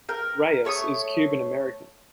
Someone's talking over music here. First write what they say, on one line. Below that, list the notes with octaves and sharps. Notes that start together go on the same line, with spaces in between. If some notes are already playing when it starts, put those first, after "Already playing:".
Reyes is Cuban American.
A#4 G5
A3 C#5 C#6 D#6